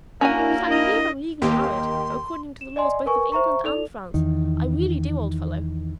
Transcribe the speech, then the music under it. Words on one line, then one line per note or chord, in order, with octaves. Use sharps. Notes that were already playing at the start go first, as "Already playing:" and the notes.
But I believe I'm legally married according to the laws both of England and France; I really do, old fellow.
A#3 C#4 D4 E4 F#4 A#4 G#5
D#5
D#2 D#3 A#3 G4 C6
E7
D5 D#5 G#5 C6
A#4 B4 G#5 C#6
C5 E5 A#5 C#6
D#4 A4 D5 F7
E2 D#3